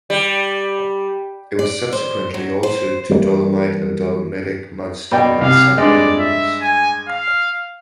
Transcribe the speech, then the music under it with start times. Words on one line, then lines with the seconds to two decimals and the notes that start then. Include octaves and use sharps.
It was subsequently altered to dolomite and dolomitic mudstone in some areas.
0.10 G3
1.59 D5
1.93 C5
2.34 F#3
2.63 C5
3.09 E3 G3 A3 A#3
5.12 B2 D5 G5
5.41 C2 C3 F5
5.78 G2 G#3 D5
6.19 E5
6.62 G#5
7.08 F5